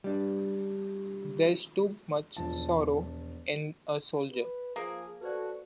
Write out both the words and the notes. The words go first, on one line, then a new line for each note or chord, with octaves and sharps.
There's too much--sorrow--in a soldier.
G3 D4
E1 F3 A5
B4
F3 A#3 G#4 D#6
F#4 A4 B4 C5 D5